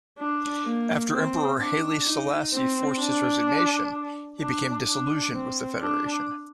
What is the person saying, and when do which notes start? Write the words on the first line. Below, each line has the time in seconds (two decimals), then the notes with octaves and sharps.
After Emperor Haile Selassie forced his resignation he became disillusioned with the Federation.
0.18 D4
0.66 A#3
1.12 C4
1.59 D4
2.05 D#4
2.53 C4
2.99 D4
4.40 D4
4.87 D4
5.33 C4
5.80 D4